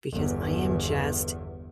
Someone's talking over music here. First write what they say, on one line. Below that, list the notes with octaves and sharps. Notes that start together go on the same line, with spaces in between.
because I am just
G1 E2